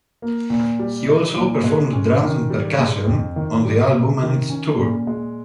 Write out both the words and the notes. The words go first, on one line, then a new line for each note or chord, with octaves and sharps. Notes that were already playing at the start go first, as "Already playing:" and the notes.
He also performed drums and percussion on the album and its tour.
A#3
A#2
G3
D#4
A#2
G#3
C#4
D#3
G3
G#3
F2
D#3
G3
C3
D#3
C#4
A#2
G#3